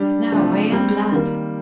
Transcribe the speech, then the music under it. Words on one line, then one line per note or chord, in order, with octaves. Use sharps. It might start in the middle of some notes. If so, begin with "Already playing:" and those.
Now I am glad!'
Already playing: G3 D4 G4
C3 F3 A3 D4
G3 C4 G4
D#3 G3 A#3